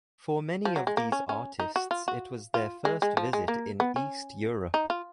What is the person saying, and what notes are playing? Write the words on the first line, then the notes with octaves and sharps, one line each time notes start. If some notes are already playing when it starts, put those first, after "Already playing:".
For many of these artists it was their first visit in East Europe.
F3
F#3
G#3
A#3
C#4
C#4
D#4
F#4
F4
F#4
F4
G#3
G#3
F3
G#3
A#3
B3
C#4
D#4
F4